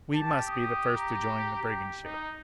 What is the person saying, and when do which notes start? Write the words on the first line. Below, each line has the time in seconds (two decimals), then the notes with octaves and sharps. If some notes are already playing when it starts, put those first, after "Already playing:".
We must be the first to join the brigand ship.
0.14 G4 A5
0.48 D#6
0.97 A#5
1.63 G4
2.05 D#4